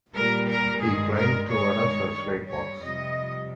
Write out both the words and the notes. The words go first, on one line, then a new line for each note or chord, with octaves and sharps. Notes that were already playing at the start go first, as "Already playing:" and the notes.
He climbed toward a searchlight box.
A#2 G3 A#4
A#4
G2 D#3 G#3 G#4
A#4
G2 D#3 G#3 C#5
G2 G3
C#5
F2 C3 G3 D#5